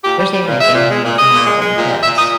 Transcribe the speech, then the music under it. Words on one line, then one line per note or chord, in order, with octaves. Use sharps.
there's even a game room if you wanted to bring kids.
A#2 G4
G3
G3
A#2
G#3 E5
A#2
G#3
A#2
G#3 D#5
A#2
G#3
G#3
A#2
G3
A#2 E5
A#2 D#5